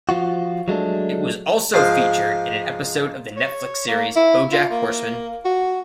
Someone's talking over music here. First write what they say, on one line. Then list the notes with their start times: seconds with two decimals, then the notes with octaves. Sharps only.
It was also featured in an episode of the Netflix series "BoJack Horseman".
0.09 F3 F4 F#4
0.68 F#3 G#3 A3 D4
1.74 G#2 F3 G#3 F5
3.37 C#5
3.88 A#3
4.16 E4
4.52 F4
4.71 A#3
5.45 F#4